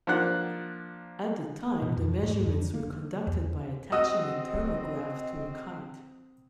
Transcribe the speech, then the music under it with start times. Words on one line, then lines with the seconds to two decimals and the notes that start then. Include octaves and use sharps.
At the time the measurements were conducted by attaching a thermograph to a kite.
0.07 F3 A#3 D4 F#5 F#6
1.82 B2
1.97 F2
2.23 G#2
2.42 F2
2.74 A#3
3.27 E2
3.92 C4 F#4 D#5 D#6 E6